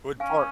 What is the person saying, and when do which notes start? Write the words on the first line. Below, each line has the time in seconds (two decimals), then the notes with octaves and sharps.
What part
0.20 C#4 F5 G#5